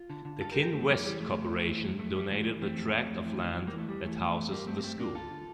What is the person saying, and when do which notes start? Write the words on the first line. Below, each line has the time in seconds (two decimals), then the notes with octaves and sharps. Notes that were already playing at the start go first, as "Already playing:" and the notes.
The Kinwest Corporation donated the tract of land that houses the school.
Already playing: F4
0.10 D3
0.25 D3
0.41 G2 F4 A4
0.52 G4 A#4
0.57 G2
0.62 G4 A#4
0.72 F2 A3 C4
0.88 F2 G3 A#3
1.04 E3 G3
1.19 F2 A3
1.36 F2
1.52 F2
1.68 E3
1.83 F2
1.99 F2 A3
2.15 F2 G3
2.31 E3 A3
2.47 E3
2.62 F2 A3 C4
2.78 F2
2.94 F2
3.10 F2
3.25 E3
3.42 E2
3.57 E2
3.67 G3 A#3
3.73 E3
3.78 A3
3.89 E2 G3
4.04 E3 A3
4.20 E2
4.36 E2
4.52 G2 G3 A#3
4.67 G2 A3 C4
4.79 A#3
4.83 G2 A3 C4
4.99 G2 A#3 D4
5.15 D3 F4 A4
5.30 D3